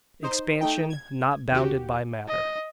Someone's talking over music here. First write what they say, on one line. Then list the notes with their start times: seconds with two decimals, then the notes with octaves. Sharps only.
Expansion not bounded by Matter.
0.23 D#4 C5
0.61 A3 D#4 G5
0.90 G#6
1.52 D#2 F#4 G4
2.28 D#5